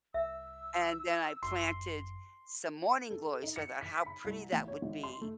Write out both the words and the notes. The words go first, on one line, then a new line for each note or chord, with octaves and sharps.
and then I planted some morning glories so I thought how pretty that would be,
C2 E5 E6
G1 F#2 C6
A4
D#4
C#7
B6
B5
C2
A1
C#5
G#1
C6
A3